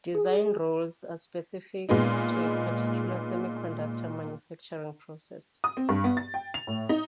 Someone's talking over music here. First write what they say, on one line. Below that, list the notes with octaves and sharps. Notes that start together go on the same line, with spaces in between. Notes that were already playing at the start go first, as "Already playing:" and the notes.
Design rules are specific to a particular semiconductor manufacturing process.
G#4
A#2 G#3 B3 D#4
D#6
C4
G2
B3
A6
G5
F7
A2
D#4